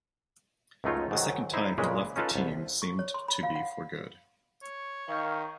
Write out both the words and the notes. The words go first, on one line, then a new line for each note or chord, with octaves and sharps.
The second time he left the team seemed to be for good.
C#2 F#2 A3 D#4 F4 C#5
G#2 D#3 F#3
D#4 E4 C5
A#2 C#3 G#3 B4
C#4 D#4 F4 A4 B4
C2
C#6
C#5
C6
B5
F5
F#5
C#5
D#3 F5 C#6 G6